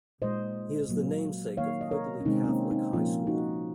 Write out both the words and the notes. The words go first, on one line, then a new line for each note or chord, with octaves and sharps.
He is the namesake of Quigley Catholic High School.
A#2 G#3 C5 D#5
A#2 F#3 A#3
D#3 A#3 C#5 F5
D#5
A#4 C#5
C#4
C3 D#3 G#3 C4 D#4
C4
A#3 C#4
C4 D#4
A#2 F3 A#3 C#4 F4
D#4 F#4